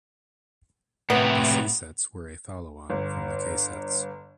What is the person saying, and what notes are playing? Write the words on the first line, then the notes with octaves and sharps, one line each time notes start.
The C sets were a follow-on from the K sets.
A2 C3 B3
G1